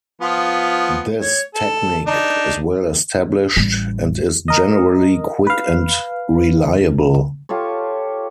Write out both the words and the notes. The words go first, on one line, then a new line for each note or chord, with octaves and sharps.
This technique is well established and is generally quick and reliable.
F3 B3 F4
C#5
A4
D4 D#4
A1 G3
A#4 D#5
B4 F5
F4 G4 A4 C#5